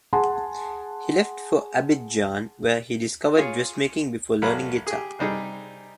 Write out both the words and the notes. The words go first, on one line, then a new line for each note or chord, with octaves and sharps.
He left for Abidjan where he discovered dressmaking before learning guitar.
G#4 F#5 G#5 A5 C6
F4 G#4 C#5
A1 F#3 A#4 F5 A#5 B5
G4 G#4
C3 G3 D#4 G#4